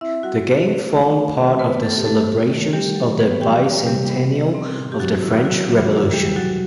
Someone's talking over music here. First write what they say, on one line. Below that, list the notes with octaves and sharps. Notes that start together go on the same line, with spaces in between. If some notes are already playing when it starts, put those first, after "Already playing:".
The game formed part of the celebrations of the bi-centennial of the French Revolution.
C4 E4 E5
G3 F#4 F#5
C4
A3
D#3
A3
D#3 C4 C5
A3 B3 B4
A3 B3 A4
G4
G3 A3 A4
A3
D#3
G3 A3 G4
F#3
E3 B3 B4
E3 G4 G5
C3
C3 G3 G4
B3
B3
C4
A2
G4
F#3 C4 F#4
D#3 E4
C3 F#3 F#4
E3 F#3 F#4
D#3 E4
G3 G4
B2 F#3 F#4